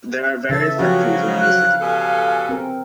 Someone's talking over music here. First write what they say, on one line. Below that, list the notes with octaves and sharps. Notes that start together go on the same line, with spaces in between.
There are various factories around the city.
C#3 E3 A4 E5 A6
C#3 F3 F#3 C#4 F#4 G4 F5
F#6
B2 G3 A4 G#5
C4 A#4